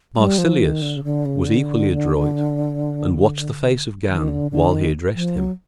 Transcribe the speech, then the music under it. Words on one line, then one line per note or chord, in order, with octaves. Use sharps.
Marsilius was equally adroit, and watched the face of Gan while he addressed him.
G3
F3
D#3
D3
C#3
D3
C#3
D3
D#3
D3
D3
D#3
F3
F#3